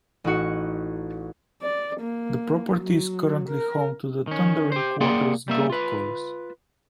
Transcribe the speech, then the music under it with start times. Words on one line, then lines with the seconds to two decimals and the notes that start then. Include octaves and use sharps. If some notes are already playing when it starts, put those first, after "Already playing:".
The property is currently home to the Thundering Waters Golf Course.
0.24 A1 D#4 F#4 C#7
1.62 D5
2.00 A#3
2.77 F#3
3.49 A#4
4.27 D#3 C#4
4.72 G4 C5
5.01 A#3 G#4 D5 F#5 G5 C6
5.48 G3 A#3 E5
5.70 F4 B4